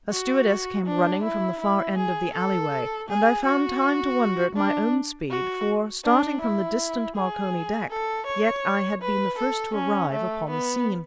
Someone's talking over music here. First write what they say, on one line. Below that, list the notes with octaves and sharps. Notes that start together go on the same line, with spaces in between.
A stewardess came running from the far end of the alleyway, and I found time to wonder at my own speed; for, starting from the distant Marconi deck, yet I had been the first to arrive upon the scene.
F#4
D4
E4
E4
G#4
A4
G#4
F#4
D4
F#4
D4
E4
G#4
A4
C#5
B4
A4
C#4
A3
B3